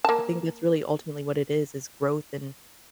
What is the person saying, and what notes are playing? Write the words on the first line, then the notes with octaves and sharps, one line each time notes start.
I think that's really ultimately what it is, is growth, and
A#3 A5